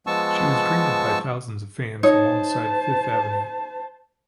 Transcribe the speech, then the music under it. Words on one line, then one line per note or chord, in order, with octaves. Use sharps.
She was greeted by thousands of fans alongside Fifth Avenue.
F3 G#3 B3 A5 C#6 E6
D#4 C5 C#5 A5